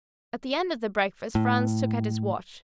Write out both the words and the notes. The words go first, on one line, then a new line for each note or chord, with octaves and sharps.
At the end of the breakfast Franz took out his watch.
A2